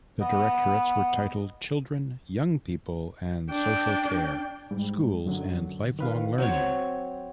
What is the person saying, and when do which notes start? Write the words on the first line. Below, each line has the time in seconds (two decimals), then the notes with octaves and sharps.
The Directorates were titled Children, Young People and Social Care; Schools; and Lifelong Learning.
0.20 B3 D#5
3.50 D4 G5
4.71 G#2 G3
5.26 F#2 D3 F#3
5.99 D#3 B4 F5
6.38 F#3 C4 C#5